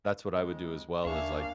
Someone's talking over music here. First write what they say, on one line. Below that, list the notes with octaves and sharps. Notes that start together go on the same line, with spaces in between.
that's what I would do as well is, like,
F2 G#3
D#2 A#3 D4 E5 F5 G#5 C#6